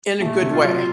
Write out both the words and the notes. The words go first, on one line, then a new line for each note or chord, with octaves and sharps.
in a good way,
A#2 A3
C3
F4
F#3